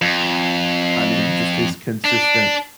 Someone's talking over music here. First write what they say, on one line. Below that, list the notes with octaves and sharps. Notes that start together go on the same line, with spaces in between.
I mean, just his consistent
F2
D4